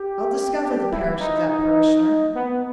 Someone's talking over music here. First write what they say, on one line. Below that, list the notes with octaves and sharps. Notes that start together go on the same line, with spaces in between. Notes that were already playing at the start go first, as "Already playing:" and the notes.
I'll discover the parish of that parishioner.
Already playing: G4
G4
E4
D#4
D#4
B3